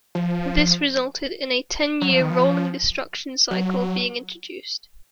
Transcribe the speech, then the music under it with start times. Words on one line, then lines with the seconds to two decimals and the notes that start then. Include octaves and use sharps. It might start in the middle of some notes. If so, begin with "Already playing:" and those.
This resulted in a ten-year rolling destruction cycle being introduced.
0.15 F3
2.02 F#3
2.12 F3
2.21 D#3
2.31 F3
3.51 F#3